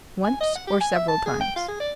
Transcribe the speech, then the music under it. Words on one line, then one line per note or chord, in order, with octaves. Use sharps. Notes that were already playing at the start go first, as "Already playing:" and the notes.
"Once or several times?"
G#5
D#5
F#5
G4
G#5
E5
A5
G#4
G5
F4
G#4
D5